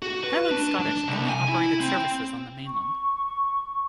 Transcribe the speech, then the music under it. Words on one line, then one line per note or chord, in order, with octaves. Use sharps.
Highland Scottish only operated services on the mainland.
F#4
B4
D4
D4
C2
G#5
E4
C4
C#6